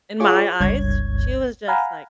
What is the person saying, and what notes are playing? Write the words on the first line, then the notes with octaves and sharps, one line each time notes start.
in my eyes, sh she was just, like,
F4 G#4 C#5 C#6 D6
G1 C#2 G2 C#5 G#6
F5 F#5 G#5 A#5 B5